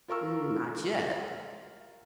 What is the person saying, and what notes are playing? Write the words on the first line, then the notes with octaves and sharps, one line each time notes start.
"Not yet."
F4 A#4 C#6 E6